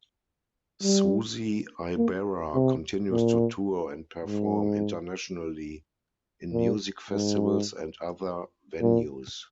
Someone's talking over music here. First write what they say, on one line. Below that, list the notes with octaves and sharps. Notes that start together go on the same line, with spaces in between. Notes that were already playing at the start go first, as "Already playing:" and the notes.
Susie Ibarra continues to tour and perform internationally in music festivals and other venues.
G3
A#3
C3
A#2
G#2
A#2
G#2
A#2